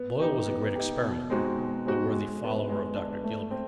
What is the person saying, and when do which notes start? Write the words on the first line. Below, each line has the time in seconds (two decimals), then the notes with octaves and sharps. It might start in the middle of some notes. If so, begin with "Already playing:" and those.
Boyle was a great experimenter, a worthy follower of Dr. Gilbert.
Already playing: B3
0.20 D#4 G4
0.48 B3
0.75 D#4 G4
1.02 B2
1.30 G#3 C4 D#4 F#4
1.57 B2
1.86 G#3 C4 D#4 F#4
2.13 G#3
2.41 B3 D4
2.69 G#3
2.96 B3 D4
3.24 A3
3.51 C4